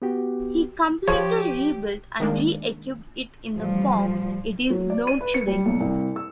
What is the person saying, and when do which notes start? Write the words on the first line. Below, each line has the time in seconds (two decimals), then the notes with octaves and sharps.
He completely rebuilt and re-equipped it in the form it is known today.
0.02 B3 F#4 G4
1.08 F3 G4 C#5
2.20 D#3 G#3 A#3 D4
3.55 A1 F3 G3
4.70 F#3
4.90 D5
5.07 D#7
5.21 B4
5.34 C#7
5.47 G3
5.66 B1
5.80 C2
6.16 E6